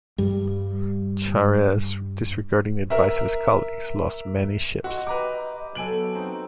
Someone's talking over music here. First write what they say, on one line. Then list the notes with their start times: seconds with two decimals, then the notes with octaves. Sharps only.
Chares, disregarding the advice of his colleagues, lost many ships.
0.18 G2 G3
2.90 A#4 E5
4.84 F#4 D#5 E5 C6
5.07 G4 B4 A#5 D6
5.75 F#3 B3 A4 G#5 D7 F#7
6.15 C4 D#4 F#4